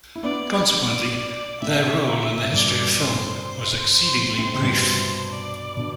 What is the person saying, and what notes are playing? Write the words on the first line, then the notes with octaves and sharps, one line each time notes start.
Consequently, their role in the history of film was exceedingly brief.
E4
B3 D4 D5
D5
A2 C3 E5
G2 B2 D5
C5
C5
A2 C5
C3
G2 B2
D5
B2 D3